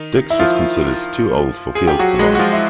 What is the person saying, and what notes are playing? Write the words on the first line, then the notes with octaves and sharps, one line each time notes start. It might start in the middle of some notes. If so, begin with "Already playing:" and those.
Dix was considered too old for field command.
Already playing: D#3 D#4
E4
F3 F4
G#4
G4
F#3 F#4
G#3 G#4
F#4
F3 F4
E4